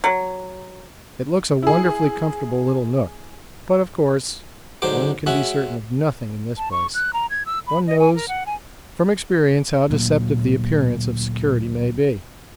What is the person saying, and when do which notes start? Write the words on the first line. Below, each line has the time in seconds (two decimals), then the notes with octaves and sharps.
It looks a wonderfully comfortable little nook, but, of course, one can be certain of nothing in this place; one knows from experience how deceptive the appearance of security may be.
0.04 F#3
1.63 E4 G#4
4.82 G#2 D3 F#3 C5 D6
5.27 G#3 C#4 F#4 E5 F#5
6.58 A5
6.71 C#6
6.94 F#6
7.13 A#5
7.30 G#6
7.46 E6
7.67 B5
7.87 D#5
7.99 G#5
8.15 A#4
8.28 F#5
8.46 G#5
9.90 D2 A#2 F#3